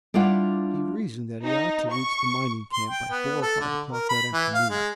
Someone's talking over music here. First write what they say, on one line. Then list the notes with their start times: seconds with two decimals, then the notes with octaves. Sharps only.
He reasoned that he ought to reach the mining camp by four or five o'clock that afternoon.
0.14 G3 D4 E4 F4 D5 F#5
1.45 D#4
1.92 C#6
2.73 C6
2.90 G5
3.11 B3
3.42 A4
3.60 D3
3.92 A#4
4.09 B5
4.33 E3
4.54 F5
4.70 G#3